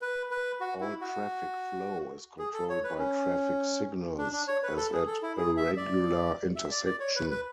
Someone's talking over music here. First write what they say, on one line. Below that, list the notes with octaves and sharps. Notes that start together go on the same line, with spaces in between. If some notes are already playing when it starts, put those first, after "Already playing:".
All traffic flow is controlled by traffic signals as at a regular intersection.
B4
B4
F#4
E4
F#4
G#4
A4
C#5
B4
C#4
D4
D4
C#5
B4
A4
G#4
A4
E4
G#4
E5
D5
E5
D5
D5
C#5
B4
B4